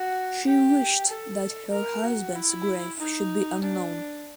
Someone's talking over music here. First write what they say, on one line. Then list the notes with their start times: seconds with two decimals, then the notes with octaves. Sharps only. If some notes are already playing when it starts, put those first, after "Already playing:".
She wished that her husband's grave should be unknown.
Already playing: F#4
0.45 G4
1.08 A4
1.71 A#4
2.03 F#4
2.35 E4
2.99 D#4
3.62 D4